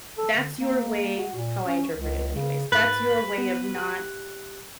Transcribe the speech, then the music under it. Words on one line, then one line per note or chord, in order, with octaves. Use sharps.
that's your way- how I interpret it anyways- that's your way of not
A4
D3
A#3
F#4
A#2
C#4
C#2
C#3
G#2 A#4 B4 A6
B3
G4 F#6